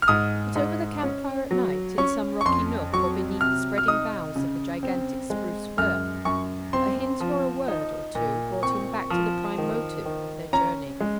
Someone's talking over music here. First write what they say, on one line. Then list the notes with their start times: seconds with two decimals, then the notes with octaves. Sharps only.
But over the camp-fire at night, in some rocky nook, or beneath the spreading boughs of a gigantic spruce-fir, a hint or a word or two brought him back to the prime motive of their journey.
0.02 F6
0.08 G#2 D#6
0.56 G#2
1.03 C#4
1.51 F#3
1.98 C#4 C#6
2.41 C#6
2.45 F2 C6
2.93 F#3 C#6
3.41 C3 F6
3.78 F6
3.88 D#4 D#6
4.36 C#3
4.83 C4
5.30 G#3
5.78 F#2 F6
6.25 F#2 C#6
6.73 C4 C6
7.20 F3
7.68 D#4
8.15 A#2
8.63 C4 C#6
9.10 F3
9.58 D#3
10.05 D#3
10.53 C#4 A#5
11.01 G#3